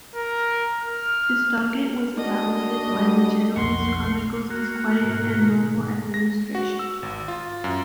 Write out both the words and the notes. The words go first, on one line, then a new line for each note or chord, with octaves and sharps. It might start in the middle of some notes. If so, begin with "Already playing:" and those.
His Dogate was evaluated by the Genoese chronicles as quiet and "normal administration".
A#4
F6
D#3 D4 F#4 D#5
G3
B1 F2 F#5 C6 C#6
A#3 F#4
G#2 B2 D#3
A#6
F#4
E6
G#1
F4
F#2